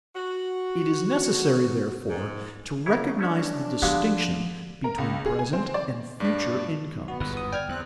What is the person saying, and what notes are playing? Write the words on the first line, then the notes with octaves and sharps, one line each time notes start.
It is necessary therefore to recognize the distinction between present and future incomes.
F#4
G#2
F#2 C#3 E4 C#5
A3 C#4 D4 E5
D3 F3 G#3 B3 F#4 G4 F5
A#4
C#2
G#4
G#5
C4
D5
G2 D4 D5
B3 F#4
G1 E2 G#2 B4
D#6
D5 G5 F6 G#6
E2 C4 F#6